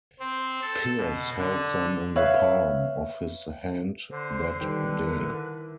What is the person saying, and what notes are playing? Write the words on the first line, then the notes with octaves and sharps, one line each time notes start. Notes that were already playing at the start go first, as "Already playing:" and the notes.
Pierce held them in the palm of his hand that day.
C4
A4
B2
D3
B4 C#5 E5 F5
D3 C5
D#3 G3 A4 B4 G5
E4 A#4